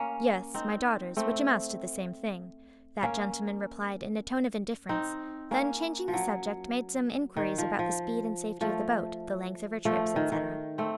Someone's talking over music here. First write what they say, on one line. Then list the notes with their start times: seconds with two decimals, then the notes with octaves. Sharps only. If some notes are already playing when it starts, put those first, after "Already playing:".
"Yes, my daughter's, which amounts to the same thing," that gentleman replied in a tone of indifference; then changing the subject, made some inquiries about the speed and safety of the boat, the length of her trips, etc.
Already playing: A#3 C#4
0.54 C4 D#4
1.17 A3 C4
3.03 A#3 C#4
4.89 C4 D#4
5.51 A#3 C#4
6.08 F3
6.13 F#3
7.37 D#3
7.58 F3
7.79 F3
8.61 F3 A3
9.85 F3 A3
10.16 D#3
10.32 D#3
10.78 A3 C4